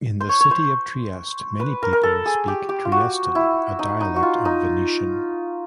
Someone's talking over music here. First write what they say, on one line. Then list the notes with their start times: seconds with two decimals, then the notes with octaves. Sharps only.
In the city of Trieste, many people speak Triestine, a dialect of Venetian.
0.20 C5
0.29 C#5
0.41 C#5
0.51 C5
1.60 B4
1.82 A#4
1.93 A#4
2.03 A4
2.26 G#4
2.48 G4
2.69 G4
2.85 F4
2.92 F#4
3.35 E4
3.79 D#4
4.00 D#4
4.16 F#4
4.23 F4
4.45 D#4